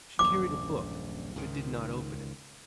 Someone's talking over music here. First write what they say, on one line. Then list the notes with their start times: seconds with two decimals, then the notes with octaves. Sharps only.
She carried a book, but did not open it.
0.19 D#1 A#1 F#2 D6
1.36 C#2 G#2 D#3